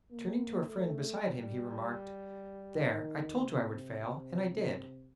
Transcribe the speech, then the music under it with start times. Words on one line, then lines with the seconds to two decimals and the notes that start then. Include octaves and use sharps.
Turning to a friend beside him he remarked, "There, I told you I would fail, and I did."
0.11 A#3
0.66 A3
1.21 G3
2.87 D#3
3.42 C3
3.96 C3